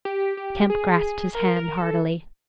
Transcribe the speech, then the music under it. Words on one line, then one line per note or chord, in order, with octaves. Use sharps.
Kemp grasped his hand heartily.
G4
G4
G#4
A#4
A#4
A4